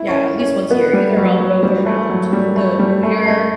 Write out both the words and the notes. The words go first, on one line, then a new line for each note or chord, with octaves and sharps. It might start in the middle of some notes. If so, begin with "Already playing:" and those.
yeah, at least once a year. Either I'll go around the new year
Already playing: E4
C#4
C#4
B3
G3
F#3
F#3
G3
A3
F#3
G3
A3
G3
A3
A3